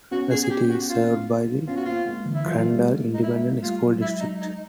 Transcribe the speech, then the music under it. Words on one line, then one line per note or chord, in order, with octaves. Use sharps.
The city is served by the Crandall Independent School District.
B3 C#4 F#4
G#4
G#4
G4
F#4
F4
B3 C#4 F4
F#4
A#3 C4 F4
G#3 A#3
D3 E3
E4
E3 F#3 F4
G3 A3
G#3 A#3
D#4
G#3 A#3 E4
G#3 A#3
G3 A3 F4
F#3 G#3
E4
D#4
D#4